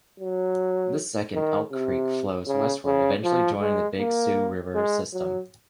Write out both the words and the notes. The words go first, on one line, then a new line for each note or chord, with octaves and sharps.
This second Elk Creek flows westward eventually joining the Big Sioux River system.
F#3
D#3
C3
C#3
C#3
F3
G#3
A#3
G#3
F#3